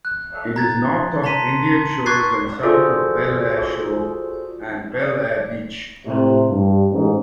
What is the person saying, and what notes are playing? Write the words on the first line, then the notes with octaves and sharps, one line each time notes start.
It is north of Indian Shores and south of Belleair Shore and Belleair Beach.
F#6
A#5 G#6 A6
A5 A#5 C6 B6 D#7
C#6 D6 F#6 G#6 A6 C7
F4 F#4 G#4 A4 C5 D5
D5
A2 C3
G2
A1 G#2